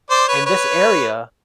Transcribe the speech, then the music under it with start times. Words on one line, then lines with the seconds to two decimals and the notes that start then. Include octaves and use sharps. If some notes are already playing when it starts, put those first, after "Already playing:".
in this area
0.10 C5 D5
0.28 B4 C#5
0.45 B4 C#5